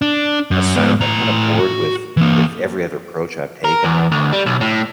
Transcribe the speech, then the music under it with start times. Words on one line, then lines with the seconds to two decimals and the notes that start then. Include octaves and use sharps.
a sound. I'm kinda bored with with every other approach I've taken,
0.02 D4
0.51 F#2
0.76 G#2 B3
1.01 A2 A#5
1.59 F#4
2.17 E3 A#3
3.65 A#4
3.84 E2
4.12 D2
4.33 G3
4.46 B1
4.61 A2